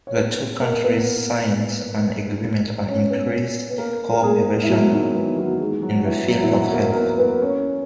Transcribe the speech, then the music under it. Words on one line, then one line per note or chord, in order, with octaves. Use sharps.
The two countries signed an agreement on increased cooperation in the field of health.
C#5
B3 B4
A#3 A#4
B3 B4
C#4 C#5
B3 B4
B4
A#3 A#4
A#4
G#3 G#4
E4
F#3 F#4
D#3 D#4
E3 E4
F#3 F#4
G#3 G#4
G#4
F#3 F#4
E3 E4
F#3 F#4
E4
F#3 F#4
A#3 A#4
A#4
B3 B4
B3 B4
C#4 C#5